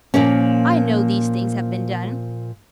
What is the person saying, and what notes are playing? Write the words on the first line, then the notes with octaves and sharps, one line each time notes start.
I know these things have been done.
A#2 F3 A#3 C#4